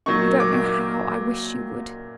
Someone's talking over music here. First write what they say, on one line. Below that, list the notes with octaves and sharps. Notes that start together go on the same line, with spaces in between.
'You don't know how I wish you would.
A#2 F#3 A#3 D#4 C#6
D6